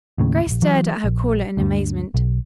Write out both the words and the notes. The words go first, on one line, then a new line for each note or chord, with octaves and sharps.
Grace stared at her caller in amazement.
D#2 A2 C#3
D#1 A#1
E3 F#3
A#1
D2 G2
B1